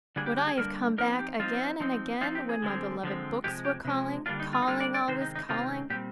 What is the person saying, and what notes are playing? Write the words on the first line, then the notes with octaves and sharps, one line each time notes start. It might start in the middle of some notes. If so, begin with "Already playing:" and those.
Would I have come back again and again, when my beloved books were calling, calling, always calling?
D3 G3 A#3 D4 G#4
G4
G4
G#4
D3 G3 A#3 D4 A#4
F3 C4 D#4 A#4
G4
F3 C4 D#4 F4
F3 C4 D#4
F3 C4 D#4 F4
G4
G#4
D3 F3 G#3 C4
D3 F3 G#3 C4
C3 F3 G#3 G4
G4
C3 F3 G#3
D3 G3 A#3 D4 F4
D#4
F4
D#4
D3 G3 A#3 D4 F4
D5
D5
C3 D#3 G#3 C4 D#4 C5
D#4
D#4
C3 D#3 G#3 C4 D#4 F4
A#2 G3 C4 G4